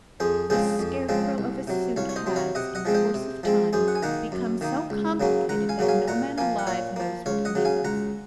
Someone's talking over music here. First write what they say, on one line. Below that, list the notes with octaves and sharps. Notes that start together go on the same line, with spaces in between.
This scarecrow of a suit has, in course of time, become so complicated that no man alive knows what it means.
F2 G#4 C5
C#3 F3 G#3 C4 G#4 C5
F2
C#3 F3 G#3 C4
C2
C3 F#3
C2 C#5 F5
C#5
C5 D#5
C3 F#3
C#5 F5
C3 D#5 F#5
D#5 F#5
F3 G#3 C4
C5 D#5
C3
F3 G#3 C4
F#2 G#4 C5
F#5
G#5
D#3 A#3 D#4 F#5 A#5
F#2
D#3 A#3 D#4
C#2
C#3 F#3 A#3 C#4
C#2 F#5 A#5
F5 G#5
C#3 F#3 A#3 C#4
F5 G#5
A#2 F#5 A#5
F3 A#3 F5 G#5
F#5
A#2 C#5 F5
F3 A#3
C#2 C#5 F5
D#5 F#5
C#3 F#3
F5 G#5
C#2 F#5 A#5